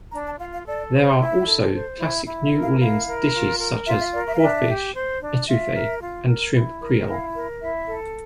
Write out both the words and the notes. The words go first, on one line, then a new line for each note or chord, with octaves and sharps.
There are also classic New Orleans dishes such as crawfish etouffee and shrimp Creole.
D4 A#5
A5
F4 F5
F5
A4 D5
C5
E4 E5
A4
C5
E4
E4
E5
A#4
F5
E4 F5
A#4
F4
A#4
F4 E5
E5
A#4 D5
E5
F5
D4 E5
G4
C5
D4
F4 E5
A#4
F4
A#4
E4
A#4
E4 F5
A#4
E4 E5
A4